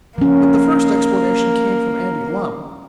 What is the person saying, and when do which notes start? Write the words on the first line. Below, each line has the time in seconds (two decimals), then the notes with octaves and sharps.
But the first explanation came from Andy Lumm.
0.18 F3 A#3 C#4